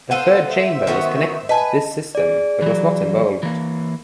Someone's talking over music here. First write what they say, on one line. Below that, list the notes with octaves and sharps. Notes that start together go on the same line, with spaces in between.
A third chamber was connected to this system but was not involved.
B3 F4 A4 C5 F#5 D#7
C5 E5
D#3 B3 F#4
B4 D#5 G#5 A5
G#4 D5
E3 F#3
E3 A#3